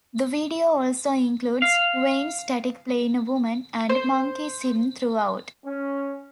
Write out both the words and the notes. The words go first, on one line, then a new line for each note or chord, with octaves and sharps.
The video also includes Wayne Static playing a woman, and monkeys hidden throughout.
F5
C5
C#4